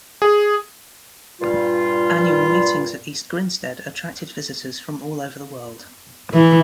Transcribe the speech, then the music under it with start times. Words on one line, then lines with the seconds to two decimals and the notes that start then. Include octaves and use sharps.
Annual meetings at East Grinstead attracted visitors from all over the world.
0.22 G#4
1.40 G2 A#2 G3 F4
6.34 E3